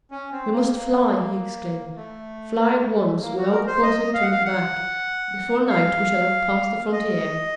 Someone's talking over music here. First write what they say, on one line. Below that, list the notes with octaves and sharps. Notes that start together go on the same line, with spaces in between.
"We must fly!" he exclaimed: "fly at once without pausing to look back. Before night we shall have passed the frontier."
C#4
C4
A#3
A#3
A3
A#3
F#4
A#4
C5
D#5
F5
F#5
F5
F#5
F5
D#5